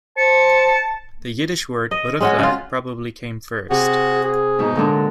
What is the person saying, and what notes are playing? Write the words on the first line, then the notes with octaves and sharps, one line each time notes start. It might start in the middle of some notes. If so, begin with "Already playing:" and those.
The Yiddish word "ruglach" probably came first.
C5 A5 C#7
D#5
G#3 C#4 F#4
C#3 F4
C3 F#4 G#4
G#4
G#2 B2 D#4 F#4
A#2 D3 G#3 D4